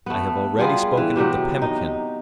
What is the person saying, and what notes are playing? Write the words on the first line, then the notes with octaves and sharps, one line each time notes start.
I have already spoken of the pemmican.
A3 B3
G3 B3 F4 G#4
E3
C3 F#3 B3 G4
D#4